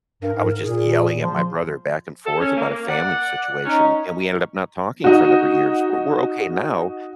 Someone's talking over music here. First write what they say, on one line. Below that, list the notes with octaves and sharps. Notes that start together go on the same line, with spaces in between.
I was just yelling at my brother back and forth about a family situation, and we ended up not talking for a number years, we're we're okay now,
G2 A#4
G#2
A#2 G#4
F3 C6
A4
C#4
A#3
D5 F#5
C#4 D#4
D#4 F#4